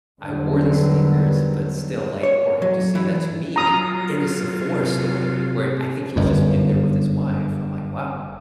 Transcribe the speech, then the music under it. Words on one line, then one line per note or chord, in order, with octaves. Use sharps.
I wore these sneakers, but still, like, for him to say that to me, in a Sephora store, where I think he was just in there with his wife, I'm like, "Wow,"
E2 D3 D#3 F#3 G3 B3
C#5
F#3
E3
F#3 F4 A#5 D#6
C3
G1 F#2